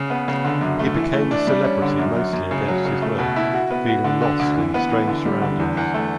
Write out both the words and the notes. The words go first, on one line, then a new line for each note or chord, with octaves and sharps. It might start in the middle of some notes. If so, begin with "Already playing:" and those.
He became a celebrity mostly against his will, feeling lost in the strange surroundings.
Already playing: C#3
B3
C#3
D3
F#2
A3
E3
A3
D4
G3
C#4
D3
F#2
F#2
F#2
C#3
F#3
C#3
A3
B2
E4
F#4
B3
F#4
D3
D3
D2
E3
B3
E3
D3
G3
D3
E2
E2
A3